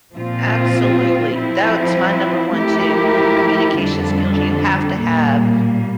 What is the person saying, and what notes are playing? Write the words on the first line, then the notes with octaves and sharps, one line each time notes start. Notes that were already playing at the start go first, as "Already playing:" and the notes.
Absolutely. That's my number one too, communication skills, you have to have
A#2 F3 C4 F4
F3 C4 E4
F3 A3 E4 G4 A#4
F2 D3 G3 D4 A4
A#2 G3 A#3